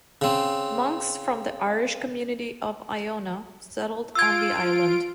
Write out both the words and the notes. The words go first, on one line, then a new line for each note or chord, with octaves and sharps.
Monks from the Irish community of Iona settled on the island.
C#3 C4
F4 E6 G#6 D7